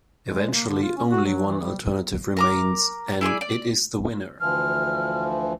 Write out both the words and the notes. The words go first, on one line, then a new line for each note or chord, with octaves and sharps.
Eventually only one alternative remains, and it is the winner.
G#3
A#3
D3
F4
C#4
F#4
F#3
E3
G3
A#4 A#5 D6
E4 G#4 C5 D5
D5
D2 E3 F3 F6